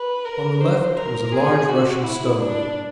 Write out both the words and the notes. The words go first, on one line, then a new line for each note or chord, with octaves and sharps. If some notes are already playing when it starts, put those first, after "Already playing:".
On the left was a large Russian stove.
Already playing: B4
A#4
C5
A#4
G#4
F#4
E4
D4